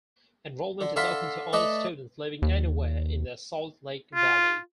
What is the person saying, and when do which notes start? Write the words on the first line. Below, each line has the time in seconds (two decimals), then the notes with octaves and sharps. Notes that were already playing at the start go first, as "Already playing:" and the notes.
Enrollment is open to all students living anywhere in the Salt Lake Valley.
0.81 D3
0.96 D3 A4 E5 F5 B5 C6
1.53 A3 A4 B4 D5 D#5
2.42 D#2
4.15 F4